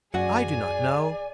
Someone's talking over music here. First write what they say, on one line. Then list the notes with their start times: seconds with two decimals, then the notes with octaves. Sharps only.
I do not know.
0.14 F#2 F#4 G#4 D5 F#5 G#5